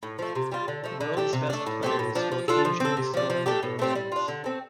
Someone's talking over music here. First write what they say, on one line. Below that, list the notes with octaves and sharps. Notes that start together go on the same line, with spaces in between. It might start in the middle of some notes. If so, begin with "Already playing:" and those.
The world's best players will occasionally score in the billions.
A2
F3 A3
C3
G3 F4
D3
F3 A3
D3
A3 D4 G4
C3
A3 D4
A2
A3 C4 G4
A2
F3 D4
F3
D4 F4 A4
F3
C4 A4
C3
F3 D4
F3
A3 D4 G4
A2
A3 C4 G4
G3
D4 F4
D3
A3 C4